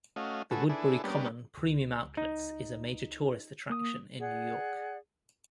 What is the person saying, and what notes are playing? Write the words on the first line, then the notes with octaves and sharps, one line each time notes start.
The Woodbury Common Premium Outlets is a major tourist attraction in New York.
A3 C#4 F#4 D#5 F5
D3 A3 F#4 G#4 A4 B4
D4 E4 G#4 A4 B4
G3 A#3 B3 C#4 D4 G4
C#2
D#4
A#3 D#6
G#4 D5 F#5